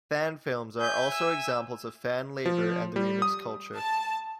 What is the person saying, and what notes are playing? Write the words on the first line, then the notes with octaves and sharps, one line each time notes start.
Fan films are also examples of fan labor and the remix culture.
E5 G#5 G6
E6
F3
G3
D#6
A5